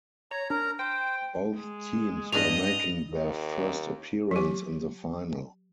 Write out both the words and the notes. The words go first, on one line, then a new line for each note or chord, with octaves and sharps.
Both teams were making their first appearance in the Final.
C#5 A#5
D4 A#4 A#5
C5 G5
G#3
G2 D4 D#5 F7
D#2
F#3 G4